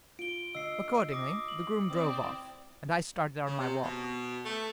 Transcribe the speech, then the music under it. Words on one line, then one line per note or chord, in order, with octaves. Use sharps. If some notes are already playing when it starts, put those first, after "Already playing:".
Accordingly the groom drove off, and I started on my walk.
F4 D7 G7
D3 D#5 F5 E6 C7
D6 D#6 A#6
F#7
C4 E4 D5 D#6
C#3
C3
B2
A3